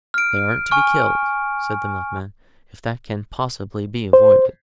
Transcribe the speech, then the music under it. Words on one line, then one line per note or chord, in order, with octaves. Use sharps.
"They aren't to be killed," said the milkman, "if that can possibly be avoided."
F6 D7
G#5 C#6 F6
C5